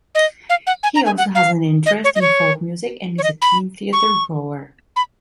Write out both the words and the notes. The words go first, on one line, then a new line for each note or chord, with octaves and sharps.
He also has an interest in folk music and is a keen theatre goer.
D#5
F5
F#5
G#5
A#5
G#5
F#5
F5
D#5
C#5
D#5
C#5
C#5
D#5
B5
C#6
B5